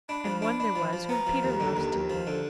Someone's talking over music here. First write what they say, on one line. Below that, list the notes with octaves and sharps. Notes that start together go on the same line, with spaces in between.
And one there was whom Peter loves dearly.
D4 B5
F3 B5
D4 B5
D4
F3
F3
B3 A#5
F3
D#2
D3
D#2
D#2
F3
D3